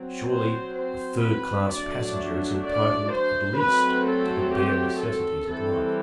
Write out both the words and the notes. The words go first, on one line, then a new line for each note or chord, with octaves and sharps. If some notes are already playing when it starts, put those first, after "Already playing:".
Surely a third class passenger is entitled at least to the bare necessities of life.
Already playing: F#3 C4
C5
C5
B4
F#3 A3 D4 D5
D5
C5
F#3 A3 C4 B4
A4
G4
A4
E3 G3 C4 A4